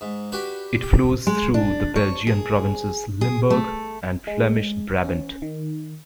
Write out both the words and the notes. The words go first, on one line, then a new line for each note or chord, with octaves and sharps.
It flows through the Belgian provinces Limburg and Flemish Brabant.
G#2
D4 F#4 G4 B4 D5
G4
G#3
D4
C#5
G#4
G#4
A3
G#3
C#4
D#3